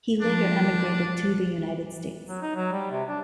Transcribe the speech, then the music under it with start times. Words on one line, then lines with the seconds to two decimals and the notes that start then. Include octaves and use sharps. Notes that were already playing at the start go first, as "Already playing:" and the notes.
He later emigrated to the United States.
0.21 F3 D4
2.29 F#3
2.42 D#4
2.55 F#3
2.72 G3
2.91 C3
3.08 D4